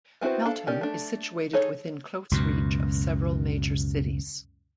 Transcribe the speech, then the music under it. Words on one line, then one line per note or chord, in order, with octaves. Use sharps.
Meltham is situated within close reach of several major cities.
B3 C4 E4 F#4 C5
D4 A4 F5
C#4 D#4 G4 A#4 D5
A3 D4
D#4 G#4 A4 C#5
C#2 F#2 B2